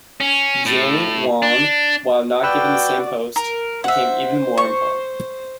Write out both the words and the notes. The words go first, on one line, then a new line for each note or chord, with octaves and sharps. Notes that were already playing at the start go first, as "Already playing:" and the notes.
Jiang Wan, while not given the same post, became even more important.
C#4
A2
D4
F#4 B4 D5 G5 E6 F#6
A#4
C5 E5 F#5
C#6